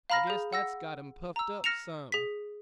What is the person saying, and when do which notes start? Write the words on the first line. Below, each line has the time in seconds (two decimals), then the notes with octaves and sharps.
"I guess that's got him puffed up some."
0.10 F5 A#5 B5 F6 A#6
0.27 G#4 G6
0.53 F#5 E6 A#6
1.36 A#5 E6
1.64 F6 A#6 C#7 E7 F7
2.12 G#4 B6